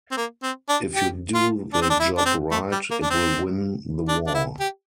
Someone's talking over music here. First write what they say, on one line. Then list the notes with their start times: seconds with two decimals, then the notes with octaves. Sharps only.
If you do the job right, it will win the war.
0.11 C4
0.17 A#3
0.43 C4
0.69 D4
0.95 G4
1.34 F4
1.73 D4
1.82 C4
1.90 D4
2.00 E4
2.18 D4
2.26 C4
2.51 A3
2.72 G3
2.91 A#3
3.02 D4
3.10 C4
4.09 D4
4.27 D4
4.34 E4
4.60 G4